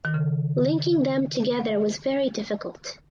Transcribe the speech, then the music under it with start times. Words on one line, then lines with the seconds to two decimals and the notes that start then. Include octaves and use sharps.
Linking them together was very difficult.
0.05 D#3
0.14 C#3